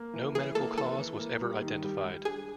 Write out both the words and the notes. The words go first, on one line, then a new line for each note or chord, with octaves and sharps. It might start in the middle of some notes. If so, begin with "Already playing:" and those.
No medical cause was ever identified.
Already playing: A#3
E3
E3 G#4
A#3 A4
E3 A4
E3
A#3
G3
D#3
G3
G3
D4 G#4